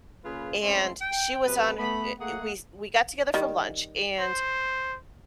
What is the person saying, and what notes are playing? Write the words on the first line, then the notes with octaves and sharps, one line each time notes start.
and she was on eh, we s we got together for lunch, and
C#3 A#3 F4 G#4 B4
A2 G#3 C4 C#4 E5 C6
G5
C3 F#3 B3 B4
A3 B3 B5
A3 A#3 G#4 F#5
D#3 G3
C5